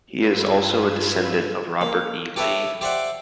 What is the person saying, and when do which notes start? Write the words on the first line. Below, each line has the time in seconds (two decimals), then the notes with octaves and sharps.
He is also a descendant of Robert E. Lee.
0.18 G2 F4 B4 E6 G#6
1.81 A#3
2.36 G4 A4 B4 C#5 E5
2.81 G4 C5 D5 E5 F#5